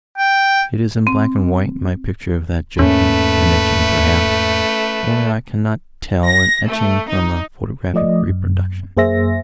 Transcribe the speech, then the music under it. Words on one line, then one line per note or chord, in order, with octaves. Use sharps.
It is in black and white, my picture of that judgement, an etching, perhaps; only I cannot tell an etching from a photographic reproduction.
G5
C4
E2 G#2 A3 A#3 C#4 B4
A#6
A3
D#4
F3 A3 D5 D#5
F#2
F#2 A#3 G#4 C5 E5 A#6